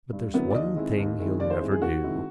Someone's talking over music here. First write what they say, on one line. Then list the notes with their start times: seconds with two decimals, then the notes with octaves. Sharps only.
But there's one thing he'll never do.
0.13 G2
0.33 D3 F#3 B3 E4
0.51 D5
0.54 D#2 D#5
0.75 D#3 G#3 C4 E4
0.97 D#2
1.18 D#3 G#3 C4 E4
1.39 D#2 D5
1.50 C5
1.61 D#3 G#3 C4 E4
1.72 G#4
1.82 D#2 F#4
2.03 D#3 G#3 C4 E4